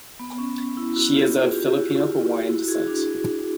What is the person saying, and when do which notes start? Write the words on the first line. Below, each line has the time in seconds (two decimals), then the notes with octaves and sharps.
She is of Filipino Hawaiian descent.
0.19 B3
0.38 C#4
0.77 E4
0.96 E4 F#4
1.15 F4 G4
1.34 F#4 G#4
1.53 F4 G4
1.73 E4 F#4
2.49 E4 F#4
2.68 F#4 G#4
2.87 D4